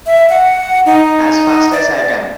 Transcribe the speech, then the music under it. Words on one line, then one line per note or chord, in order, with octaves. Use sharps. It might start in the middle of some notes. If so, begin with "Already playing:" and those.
As fast as I can!
E5
F#5
D#4
D5